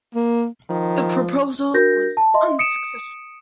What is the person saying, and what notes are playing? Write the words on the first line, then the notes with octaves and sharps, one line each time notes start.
The proposal was unsuccessful.
A#3
D#3 F3
D4 F#4 A#4 G6 A#6
A5
D#5 E5 C6
D#6 C#7 D7 E7